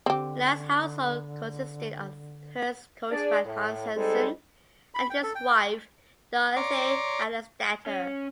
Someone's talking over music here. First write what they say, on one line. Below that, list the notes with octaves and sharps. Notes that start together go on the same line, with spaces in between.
The last household consisted of hearse coachman Hans Hansen and his wife Dorothea Andersdatter.
D3 C4 G4
D4 G#4 D5
A2
G3 G#3 C4 D#4 A4
B5
G5
A4
G5
C#5 D5 A#5 C6 D6
C#4